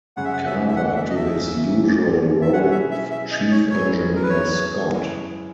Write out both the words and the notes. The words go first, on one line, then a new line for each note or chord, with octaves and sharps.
Carver to his usual role of Chief Engineer Scott.
F#2 C#3 G#3 C#4 F#5
E5
F#5
E5
E5
F#5
E5
D#5
E5
G#2 F#3 A#3 C#4
E5
B2 F#3 C#4 E4 G#4 F#5
E5
E5
E5
D#5
C#5
G#2 F#3 B3 E4 G#4 C#5
A#4
B4
C#5
F#2 E3 G#3 C#4 E4